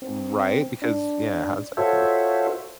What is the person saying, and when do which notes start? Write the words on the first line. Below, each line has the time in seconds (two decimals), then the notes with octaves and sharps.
Right, because yeah, how does that feel?
0.02 C4
0.82 D4
1.77 F4 F#4 A4 C5 C#5 E5